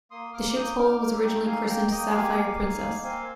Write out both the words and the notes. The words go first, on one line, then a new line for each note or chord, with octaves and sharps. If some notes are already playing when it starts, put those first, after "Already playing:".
The ship's hull was originally christened "Sapphire Princess".
A#3 C6 D#6
A#3 D6 F6
A#3 D#6 G6
D#4 D6 F6
A#3 D6 F6
D#4 G5 A#5
A#3 F5 G#5
A#3 G5 A#5
A#3 D#5 G5
G4 F5 G#5
A#3
D#4
A#3
C4 F5 G#5